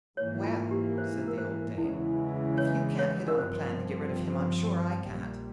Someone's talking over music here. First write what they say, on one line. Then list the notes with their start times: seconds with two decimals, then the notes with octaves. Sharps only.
'Well', said the old dame, 'if you can't hit on a plan to get rid of him, I'm sure I can't.'
0.17 G#2 E3 A#3 C#5
0.44 F4
0.71 G4
0.98 C5
1.27 A#4
1.38 C5
1.78 E2 C#3 E3 G#3 E4
2.58 C#5
2.99 C#5
3.28 A#4
3.38 G2 F3 C4 C5
5.00 A#1 A#2 G3